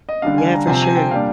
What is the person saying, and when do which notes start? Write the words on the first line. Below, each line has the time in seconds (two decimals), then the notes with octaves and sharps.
Yeah, for sure.
0.09 D#5
0.22 D3 G3 D4 F5
0.38 G#5
0.52 A#5
0.67 C3 F3 C4 G#5
0.82 G#5
0.96 G5
1.11 A#2 G3 D4 F5